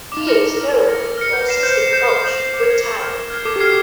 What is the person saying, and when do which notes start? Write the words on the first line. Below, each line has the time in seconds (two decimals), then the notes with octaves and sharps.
He is currently the assistant coach with Thailand.
0.12 D6
0.17 D#4
0.27 E4 F6 A#6 C#7
0.42 D6
0.57 A#4 F6 A#6 C#7
0.72 D6
0.87 F6 A#6 C#7
1.03 D6
1.18 F6 A#6 C#7
1.33 B4 G6
1.48 C7 E7
1.63 C5 G6
1.78 C7 E7
1.93 G6
2.09 C7 E7
2.24 G6
2.39 C7 E7
2.54 D6
2.70 F6 G#6 C7
2.84 A#4 D6
3.00 F6 G#6 C7
3.15 D6
3.30 F6 G#6 C7
3.45 A4 D6
3.56 G4
3.60 F#4 F6 G#6 C7